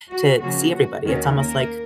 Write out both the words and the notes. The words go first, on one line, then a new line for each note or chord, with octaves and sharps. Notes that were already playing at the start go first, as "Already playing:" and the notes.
to see everybody, it's almost like
F#4
C#3 F3 A#3 C#4 F#4
F#4
D#2 D#3 A#3 C#4 F#4
A#3 A#4